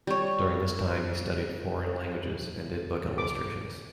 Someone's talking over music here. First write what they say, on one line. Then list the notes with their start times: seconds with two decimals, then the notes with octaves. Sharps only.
During this time he studied foreign languages and did book illustrations.
0.07 G3 C#5
3.18 D6